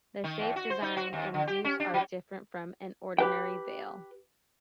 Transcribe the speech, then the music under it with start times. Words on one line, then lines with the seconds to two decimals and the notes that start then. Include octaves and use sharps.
The shape, design and use are different from an ordinary veil.
0.24 D#3
0.39 E2
0.56 F#4
0.70 C5
0.82 D#4
0.97 F#4
1.13 D#2
1.34 D3
1.47 G4
1.64 C#4
1.80 D4
1.94 F#3
3.18 G4 B4 G5